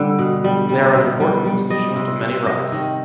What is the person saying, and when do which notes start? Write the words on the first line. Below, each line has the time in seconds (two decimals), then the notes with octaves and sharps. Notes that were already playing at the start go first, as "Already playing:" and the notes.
They are an important constituent of many rocks.
Already playing: D3 G3
0.19 B2
0.44 G3
0.69 G3
0.95 B2
1.20 G3
1.45 G3
1.70 G3 D#5
1.96 C3
2.21 C3
2.46 C3 D#5
2.72 D#3